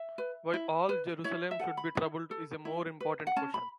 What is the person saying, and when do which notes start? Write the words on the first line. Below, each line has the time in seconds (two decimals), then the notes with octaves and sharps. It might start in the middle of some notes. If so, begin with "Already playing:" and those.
Why all Jerusalem should be troubled is a more important question.
Already playing: E5
0.18 B4
0.54 E4
0.89 B4
1.24 E4 C#5
1.51 E5
1.59 A4 F#5
1.77 B5
1.95 E4
2.31 A4
2.65 E4
3.00 B4
3.27 F#5
3.36 C#4 A5
3.54 B5